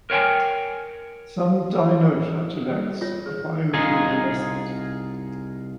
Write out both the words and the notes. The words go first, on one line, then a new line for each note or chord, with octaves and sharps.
Some dinoflagellates are bioluminescent.
A#4 C#5 G5 G#5
G3 A#3
F4 C#5
G#4
C2 D#4 F4 G#4